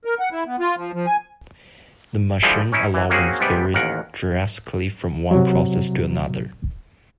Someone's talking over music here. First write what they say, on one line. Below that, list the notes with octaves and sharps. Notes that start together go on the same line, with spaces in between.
The machining allowance varies drastically from one process to another.
A#4
F#5
E4
B3
F4
F3
F3
G#5
D3 F3 G3 G#3 E4
C#4 D#4 E4
E3
F#3 A#3 C4 C#4 F#4 G#4
G#2 C3 G3 B3 D5
A1 D#2 A#4 F#5
C3 F#3